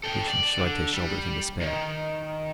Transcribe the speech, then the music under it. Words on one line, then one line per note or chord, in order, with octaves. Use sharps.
Lucian shrugged his shoulders in despair.
A4 G5
D5
D3
G3
D#3